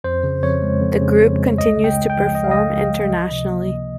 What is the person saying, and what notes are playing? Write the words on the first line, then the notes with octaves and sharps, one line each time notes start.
The group continues to perform internationally.
F2 C5
C#3
F2 C#5
G#3
F2
C#3
F2
G#3
C#2 D#5
C#3
G5
G#3
G5
F3
C#2 D#5
F5
C#3 D#5
G#3
F3
C#2
C3
A#3
F3